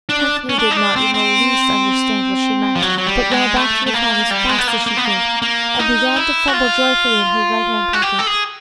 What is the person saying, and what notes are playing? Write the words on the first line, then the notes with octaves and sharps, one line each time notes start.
Tephany did not in the least understand what she meant, but ran back to the farm as fast as she could, and began to fumble joyfully in her right-hand pocket.
D4
C#4
D4
D#4
D4
C4
C4
F3
F#3
F#3
G3
G#3
A3
A3
A#3
G3
G#3
B3
A#3
A#3
B3
A#3
A#3
D#4
E4
F#4
F4
F#4
G4
A4
G#4